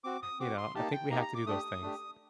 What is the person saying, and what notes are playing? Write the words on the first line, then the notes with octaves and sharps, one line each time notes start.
You know, I think we have to do those things.
C4 F#4 D6
D#6
C4 F#4 D6
C6
A#3 D#4 G4 A5
G5
A#3 D#4 G4 A#5
A#5
D6
A3 D4 G4 D#6
A3 D4 G4